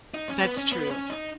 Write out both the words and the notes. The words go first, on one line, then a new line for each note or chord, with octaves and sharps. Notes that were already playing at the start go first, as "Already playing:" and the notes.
That's true.
D#4
C#4
B3
C#4
B3
C#4
D#4